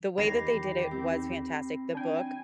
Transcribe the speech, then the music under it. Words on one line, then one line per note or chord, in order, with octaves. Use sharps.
the way that they did it was fantastic. The book
E2 D#3 G4 C#5 D#5 B5 A#6 C7
C4
D4 G5 G#5